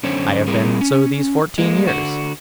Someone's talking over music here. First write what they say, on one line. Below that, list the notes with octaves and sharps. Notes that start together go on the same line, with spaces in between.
"I have been so these fourteen years."
F#2 D3 C#4 C5 C#5
G3 C4 E4 G#4 A#4
C#4
G#3 A#3
D3 F#4